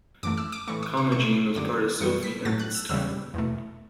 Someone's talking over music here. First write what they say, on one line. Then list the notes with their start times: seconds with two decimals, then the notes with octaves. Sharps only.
Commagene was part of Sophene at this time.
0.23 F#2 E3 A3 D6
0.38 E6
0.52 D6
0.68 A2 E3 A3 C#6
0.83 D6
0.97 C#6
1.12 B2 A3 C#6
1.56 F#2 D3 G3 D6
2.00 F#2 E3 G3 C#7
2.23 B6
2.45 A2 F#3 A3 A6
2.59 F#6
2.74 E6
2.89 E2 C#3 G3 E6
3.34 E2 B2 A3